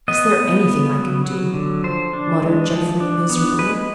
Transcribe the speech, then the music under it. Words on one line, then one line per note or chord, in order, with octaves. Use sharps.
"Is there anything I can do?" muttered Jeffrey miserably.
B3 D#5
B3
B3
F#3
F#3
D3
F3 C5
D4
G#3
F3
D4
B3
G#3 B4